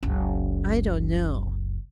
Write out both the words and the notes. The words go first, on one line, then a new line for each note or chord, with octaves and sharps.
I don't know.
F#1 C#2